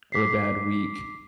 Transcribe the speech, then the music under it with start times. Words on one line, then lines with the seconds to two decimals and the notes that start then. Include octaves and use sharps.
or a bad week,
0.12 D6 B6 C7